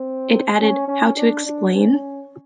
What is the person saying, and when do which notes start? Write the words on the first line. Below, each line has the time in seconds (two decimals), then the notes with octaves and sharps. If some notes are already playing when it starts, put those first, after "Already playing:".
It added How to Explain?
Already playing: C4
0.60 C#4
0.88 C#4
1.16 D4
1.45 D4
1.73 C#4